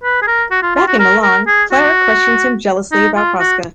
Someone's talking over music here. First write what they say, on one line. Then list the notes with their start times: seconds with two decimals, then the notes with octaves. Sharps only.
Back in Milan, Clara questions him jealously about Fosca.
0.03 B4
0.22 G#4
0.27 A#4
0.51 F#4
0.62 F4
0.76 F4
0.87 F#4
0.99 A#4
1.23 A#4
1.47 G#4
1.72 F#4
2.92 D#4
3.16 F4
3.39 F#4